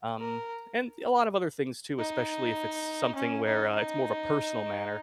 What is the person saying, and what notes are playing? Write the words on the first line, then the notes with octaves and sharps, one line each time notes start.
Um, and a lot of other things too, especially if it's s something where, uh, it's more of a personal manner.
A#4
D#4
C#4
D#4
D#4